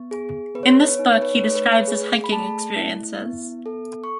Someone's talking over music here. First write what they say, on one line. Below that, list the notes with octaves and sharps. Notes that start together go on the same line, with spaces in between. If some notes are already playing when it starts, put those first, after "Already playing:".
In this book he describes his hiking experiences.
Already playing: B3
G#4
B3 B4
C#5
B4
C#5
B4
D#4 C#5
B4
C#5
B4
C#5
B4
A3 C#5
B4
C#5
B4
G#4
B5
A3 A5
E4
B3
A4
C#6